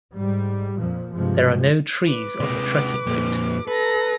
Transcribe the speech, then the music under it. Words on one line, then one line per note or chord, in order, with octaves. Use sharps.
There are no trees on the trekking route.
G#2 G3
F2 A#2 F3
G2 C3 F3 G#3
B4 D6
C3 G#3
F2 A#2
A4 B4 A#5